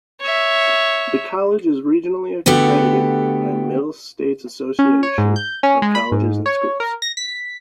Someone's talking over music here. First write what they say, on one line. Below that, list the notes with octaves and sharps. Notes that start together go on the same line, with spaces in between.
The college is regionally accredited by Middle States Association of Colleges and Schools.
C#5 E5
D3 A3 B3 F#4 G4
C#4
C#5
G#2
G6
C#4
G#3
B5
G#2
C#5
A#4
A#6
B6